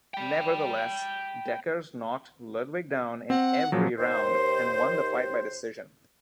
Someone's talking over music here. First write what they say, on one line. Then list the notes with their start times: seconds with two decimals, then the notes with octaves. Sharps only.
Nevertheless, Dekkers knocked Ludwig down in every round, and won the fight by decision.
0.14 G5 B5
3.30 C4 F#5
3.72 A#2 F3 F#3
3.98 D#2 C5